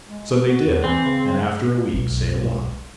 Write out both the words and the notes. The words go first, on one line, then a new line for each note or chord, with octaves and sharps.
So they did, and after a week sailed off.
G#3
F#4
E2
E3 C4
C#3
B1 G#2